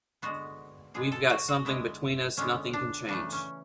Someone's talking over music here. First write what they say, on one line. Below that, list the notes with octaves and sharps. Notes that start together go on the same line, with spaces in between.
We've got something between us nothing can change.
D3 G#3 B3 F#4
D3 G#3 B3 G#4
A4
F#4
F#4
D3 G#3 B3 E4
D3 G#3 B3 C#4
D4
C#3 E3 A3 D4
C#4